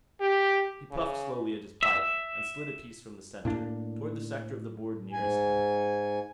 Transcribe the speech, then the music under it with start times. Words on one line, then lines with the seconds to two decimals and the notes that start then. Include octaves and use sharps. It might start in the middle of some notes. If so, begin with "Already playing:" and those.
He puffed slowly at his pipe and slid a piece from the center toward the sector of the board nearest him.
0.21 G4
0.91 C#3
1.83 E5
3.45 A2 A#3 D4
5.12 G#2 G#5